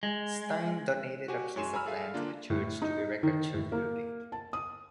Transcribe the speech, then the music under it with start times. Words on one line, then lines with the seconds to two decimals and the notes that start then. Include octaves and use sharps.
Steyn donated a piece of land to the church to erect a church building.
0.03 G#3
1.28 F#4 G4 G#5
1.56 F#2 G#3 C#5 G#5 C6 E7
1.74 G#5 A#5 B5 E6 F6
1.86 G#4 A4 E5 F5 G#5
2.14 D3 A#3 D4 F4
2.50 A2
2.82 D#4
3.23 D#3
3.54 A2
3.72 A#3
4.32 A5
4.53 D#6